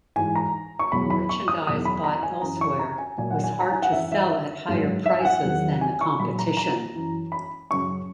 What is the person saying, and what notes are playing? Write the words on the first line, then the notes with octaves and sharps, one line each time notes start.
Merchandise bought elsewhere was hard to sell at higher prices than the competition.
G#2 E3 G#5
A#5
C#6
E2 B2 F#3 B5
B5
C#6
D#6
E2 B2 F#3 D#6
B5
A#5
G#5
F#2 E3 A#5
C#6
A#5
G#5
A#2 F#3 G#5
F#5
G#5
A#5
G#5
F#5
F#2 E3 E5
E5
E5
G#2 F#3
E5
G#5
F#5
E2 D#3 F#3
G#5
C#6
A#2 F#3 B5
A#5
A#5
F#2 E3
B5
F#2 C#3 F#3 C#6